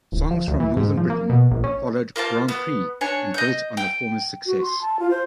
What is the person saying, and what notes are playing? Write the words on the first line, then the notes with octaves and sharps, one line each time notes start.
"Songs from Northern Britain" followed "Grand Prix" and built on the former's success.
D1
F3
D2
E3
G#2
F3
A#3
B2
A#1
C#4
A#3 F4 C5 A5
B3
D4 C#5 G#5
D#5 G6
G5
F#4
C6
A5
F4
C5